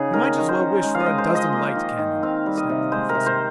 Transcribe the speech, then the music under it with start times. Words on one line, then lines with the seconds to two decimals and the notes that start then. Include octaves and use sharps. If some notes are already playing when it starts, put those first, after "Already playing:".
"You might as well wish for a dozen light cannon!" snapped the Professor.
Already playing: C#3 D#4 G#4
0.14 D#3 A#4
0.37 D#3
0.49 C5
0.60 C#4
0.83 G#3
0.95 F5
1.00 D#5
1.06 G#3
1.18 C5
1.30 F3
1.35 D#5
1.52 A#3
1.75 D#3
1.99 D#3
2.23 C4 F5
2.46 G3
2.57 D#5
2.69 C3
2.91 G#3 C5
3.09 A#4
3.15 C3
3.26 C5